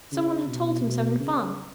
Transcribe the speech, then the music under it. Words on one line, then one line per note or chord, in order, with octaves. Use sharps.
Some one had told him so in fun.
C#3
B2
B2
C#3